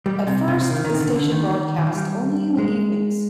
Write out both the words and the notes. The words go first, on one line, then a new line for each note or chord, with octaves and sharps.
At first, the station broadcast only in the evenings.
G3
C3
C3
F3
D#3
D#3
C3
D3
D3
D#3
D#3
F3
G3
G#3